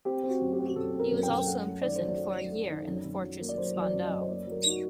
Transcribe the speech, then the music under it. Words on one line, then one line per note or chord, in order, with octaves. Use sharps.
He also was imprisoned for a year in the fortress at Spandau.
C4 G4
C4
F#4
F#2
G4
C4 F#4
G4
F#2 A4
C4
A#4
F#2
G5
F#2
A3 F#5
A3
D#3 D5
F#3 C5
D5
A3
F#3
A3
D#3
F#2
F#2
F#3
A#3
D5
F#3 C5
F#3
D5
F#2
D#5
F#2
C5
A#3 D5
F#3
A#4
D#4 F#4